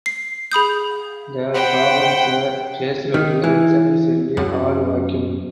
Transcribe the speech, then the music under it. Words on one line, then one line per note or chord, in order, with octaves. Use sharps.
The problems were traced to insufficiently hard vacuum.
C7
G#4 B5 D#6 G6
C5 F#5 G5 B5
D#3
E3
F#2